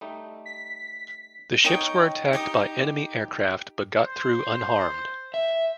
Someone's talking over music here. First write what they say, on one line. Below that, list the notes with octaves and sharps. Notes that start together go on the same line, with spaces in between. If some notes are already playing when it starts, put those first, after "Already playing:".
The ships were attacked by enemy aircraft but got through unharmed.
G3 A3 D#4
B6
D#4 C#5 G5 D#6
D#4 G4 D#6
C5
E5